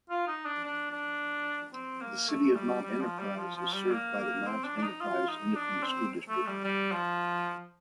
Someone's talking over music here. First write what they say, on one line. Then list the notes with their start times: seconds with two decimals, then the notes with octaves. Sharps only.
The City of Mount Enterprise is served by the Mount Enterprise Independent School District.
0.10 F4
0.27 D#4
0.45 D4
0.64 D4
0.92 D4
1.73 C4
2.01 A#3
2.28 A3
2.55 G3
2.82 G3
3.01 F3
3.19 G3
3.37 F3
3.55 F3
3.74 G3
3.92 A#3
4.19 A#3
4.46 C4
4.64 D4
4.77 D4
4.83 D#4
5.01 F4
5.29 D#4
5.56 D4
5.83 C4
6.29 A3
6.47 G3
6.64 G3
6.92 F3